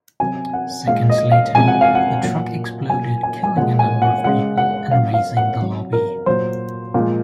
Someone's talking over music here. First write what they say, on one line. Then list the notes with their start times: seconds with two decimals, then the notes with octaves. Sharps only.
Seconds later, the truck exploded, killing a number of people and razing the lobby.
0.20 C3 F#3 G#5
0.53 F#5
0.87 A#2 G#3 F5
1.09 D#5
1.32 F5
1.55 C3 F3 G#3 G#5
1.68 F#5
1.81 F5
1.95 F#5
2.23 A#2 F#3
2.89 A#2 F#3 G#5
3.23 G#5
3.43 G#5
3.57 A#2 F3 G#3 F#5
3.79 G#5
4.02 F#5
4.24 C#3 G#3 F#5
4.58 F#5
4.91 C#3 F#3 F5
5.14 F5
5.37 F#5
5.59 C3 F#3
5.93 A#4
6.26 A#2 F#3 C5
6.94 A#2 F3 G#3